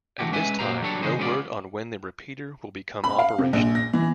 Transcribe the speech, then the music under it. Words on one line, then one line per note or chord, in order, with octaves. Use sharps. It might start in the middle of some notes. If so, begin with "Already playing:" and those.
At this time, no word on when the repeater will become operational.
D3 E3 A3 A#3 F#4 G4
G#3 C#4 B4 E5 G#5
A#2 F3 F#4 G4 C5 A#5
F#3 G3 D4 A4 C#5
C#3 E3 D#4 G#4 C5
G#3 B3 C#4 E4 F4 D5
B5
F5
C3
A#1
A#6
E3